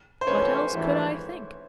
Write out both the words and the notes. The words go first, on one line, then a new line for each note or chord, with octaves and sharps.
What else could I think?
C5
F2 C3 E3 A3 C#4 B4 C#5
G#1 G2 E3 A3